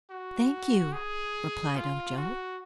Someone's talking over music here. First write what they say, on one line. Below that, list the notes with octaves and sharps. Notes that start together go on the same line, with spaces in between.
"Thank you," replied Ojo.
F#4
G#4
F4
F#4